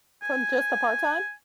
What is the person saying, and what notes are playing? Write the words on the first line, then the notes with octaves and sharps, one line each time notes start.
From just a part-time? uh
G#5